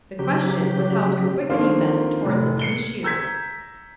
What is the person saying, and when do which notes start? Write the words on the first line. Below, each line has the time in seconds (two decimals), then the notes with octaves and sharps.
The question was how to quicken events towards an issue.
0.19 C#3 F#3 G4
1.49 D3 D#3 F3 A#3 C4 F4
2.24 F1 A2
2.59 C7 C#7 G7
3.03 A#5 E6 G6 G#6 B6